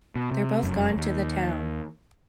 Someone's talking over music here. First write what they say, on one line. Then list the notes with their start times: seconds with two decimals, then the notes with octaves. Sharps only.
They’re both gone to the town.
0.16 B2
0.32 C3
0.63 F1 F#2
0.96 D#2